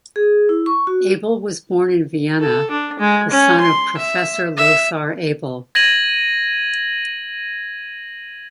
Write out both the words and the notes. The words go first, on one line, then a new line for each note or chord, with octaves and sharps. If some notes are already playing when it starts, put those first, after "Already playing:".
Abel was born in Vienna, the son of Professor Lothar Abel.
G#4
E4
C#6
F#4
A4
D4
G#3
C#4
C6
E5
E5
G#6 A#6 D#7 F#7